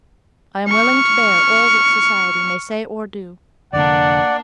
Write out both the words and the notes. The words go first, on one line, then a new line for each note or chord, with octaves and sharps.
I am willing to bear all that society may say or do.
C#6 F6
F1 D3 A#3 D4 D5 F#5